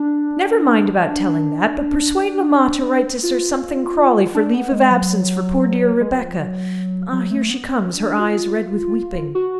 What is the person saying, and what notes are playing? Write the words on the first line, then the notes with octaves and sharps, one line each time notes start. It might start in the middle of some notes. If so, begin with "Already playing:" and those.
"Never mind about telling that; but persuade Mamma to write to Sir Something Crawley for leave of absence for poor dear Rebecca: here she comes, her eyes red with weeping."
Already playing: D4
D4
F4
D4
B3
G#3
F#3
G#3
F#3
F3
F#3
F#3
A3
B3
C#4
D4
F#4
F4
F#4